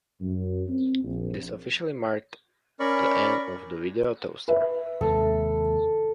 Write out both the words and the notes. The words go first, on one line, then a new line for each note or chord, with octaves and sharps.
This officially marked the end of the Video Toaster.
F#2
C4
A#1
C#4 A#4 D5 B5 C#6
B4 E5
D#2 C3 G#3 A4